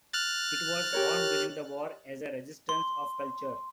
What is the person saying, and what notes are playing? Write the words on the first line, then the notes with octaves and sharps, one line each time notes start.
It was formed during the war as a "resistance of culture".
F6 F#6 A6
G4 A#4 C#5
C6